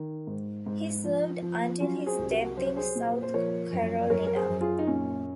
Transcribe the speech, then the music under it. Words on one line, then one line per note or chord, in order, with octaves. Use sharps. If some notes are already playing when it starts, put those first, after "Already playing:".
He served until his death in South Carolina.
Already playing: D#3
G#2
G#2
F3
F3
F#3 C#4 F4
G#4 C5
C2
F#4 A#4
F#3 C5
C#5
G#4 C5
A#2
C5
F3 A#4 C#5
F#2
F#2 A#4 C#5
A#4
G#4 C5
F#2
F4 G#4
D#4
A#2 C#4